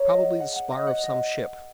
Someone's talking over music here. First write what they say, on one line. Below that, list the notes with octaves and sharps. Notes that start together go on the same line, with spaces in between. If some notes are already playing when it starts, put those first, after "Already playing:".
"Probably the spar of some ship."
Already playing: G#4 A#4 C#5
D#5
F#5
F#5
F#5
D#5
F#5
D#5